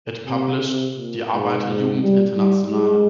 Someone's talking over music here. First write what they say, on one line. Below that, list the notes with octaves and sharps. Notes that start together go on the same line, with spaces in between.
It published "Die Arbeiter-Jugend-Internationale".
C3
C3
A#2
G#2
G#2
G3
G3
G#3